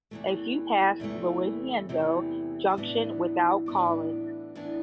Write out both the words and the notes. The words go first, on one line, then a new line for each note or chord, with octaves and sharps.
A few passed Llandudno Junction without calling.
E2 C3 E3 A3
E2 C3 E3 A3
E2 C3 E3 A3
A2 E3 B3 D4
A2 E3 B3 D4
A2 E3 B3 D4